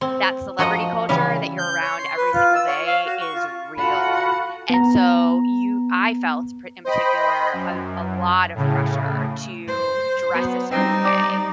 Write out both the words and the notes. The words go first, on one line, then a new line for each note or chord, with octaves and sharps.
that celebrity culture, that you're around every single day, is real, and, so, you I felt, p in particular, a a lot of pressure to dress a certain way,
C4
F3 F#4 D#5 F#5 A#5
C#3 E3 G3 F5
G6
C#5
C6
B4
F4
E6
C#5
F5
F#4
C#6
F4
F4 F#4 A4 F#5 B5
B3 A#5
C5 D#5 G5 B5
F#2
A2 C#3
C5
F#3 B3
G3 C4 D#4
D5